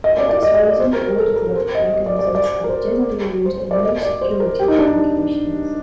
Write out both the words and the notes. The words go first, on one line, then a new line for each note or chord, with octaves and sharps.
For this reason warded lock mechanisms are generally used in low security applications.
D#5
D5
D5
D#5
D#5
D5
C5
A#4
A4
A#4
C5
D#5
D#5
D5
D5
C5
D5
A#4
C5
C5
C5
D5
D#5
D5
C5
A#4
G4
D#4
D4
D#4